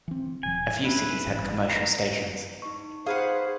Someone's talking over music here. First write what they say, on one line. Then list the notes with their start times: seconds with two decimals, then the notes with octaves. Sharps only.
A few cities had commercial stations.
0.08 E3 C4
0.43 D#1 B2 F3 G#5
0.84 B3 C#4 D4 E4 B4
1.26 G1 G2 E3
1.70 A#5
2.62 D#4 C#6
3.07 G#4 B4 C5 F5 F#5